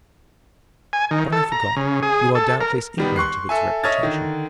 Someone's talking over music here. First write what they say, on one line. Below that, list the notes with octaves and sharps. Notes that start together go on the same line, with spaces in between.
But I forgot; you are doubtless ignorant of its reputation.
G#5
D#3
A4
A#5
C#3
G#4
A4
A#4
D#3 G3 B3
C6 C#6 F#6 C7
A4 E5 G#5
C#5 D#5 E5 F6 G#6 A6
D3 D#3